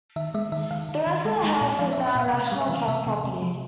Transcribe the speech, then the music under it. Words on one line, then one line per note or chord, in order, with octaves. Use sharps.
The rest of the house is now a National Trust property.
D#3 E5
G#3 E5
D#3 E5
D#3 F5
D#3
D#3
G#3
G#3
A#2
F3 F5
E5
F3
E5
A#2 F5
C3 F#5
G3 F5
E5
E3 F5
C3 E5
C3
C3
F3